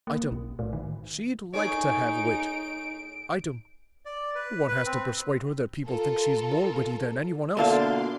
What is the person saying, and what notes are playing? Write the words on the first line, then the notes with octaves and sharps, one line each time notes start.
Item--she'd like to have wit. Item--one has to persuade her that people think she's more witty than anyone else.
A#3
B1
A2
D#3
A2 D#4 G#4 C#5 D7
D5
B4
B4
C4
F4 A4 A#4
B2 D3 A#3 E4 A4 F5 C6 D6